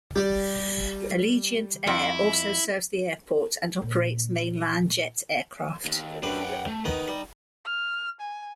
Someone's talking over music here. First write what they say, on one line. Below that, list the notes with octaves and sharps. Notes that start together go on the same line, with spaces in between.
Allegiant Air also serves the airport and operates mainline jet aircraft.
G3 G4 D5
F2 E4
A#2 D3
D#2
F#2 D4 F#4 G4 B4
F#5 G5
A3
D#3 B3 D#4 B4
G3
F6
G#5